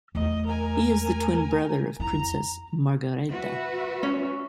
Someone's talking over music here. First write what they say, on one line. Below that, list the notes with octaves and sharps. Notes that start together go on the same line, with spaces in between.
He is the twin brother of Princess Margaretha.
E2 A3 D#5
A#4 G#5
F2 E4 A#5
F#4 B4 E5
C#4